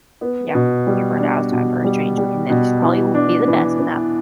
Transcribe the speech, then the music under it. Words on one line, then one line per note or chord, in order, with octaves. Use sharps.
Yeah, you're burned out, it's time for a change, and and this probably will be the best with that.
B3
B2
G3
D4
B2
G3
G3
B2
E3
D4
E3
E3